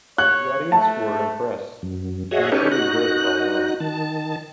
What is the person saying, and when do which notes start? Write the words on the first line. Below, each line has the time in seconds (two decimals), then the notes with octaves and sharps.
The audience were impressed and she was very well known.
0.18 C#5 F#6
0.72 A3 A5
1.82 F#2
2.31 F#4 G#4 C#5 D#5 E5 F#5
2.52 C#4 D#4 G4 A4 B4 C#5
2.72 D#4 F#4 F#6
3.80 D#3 A5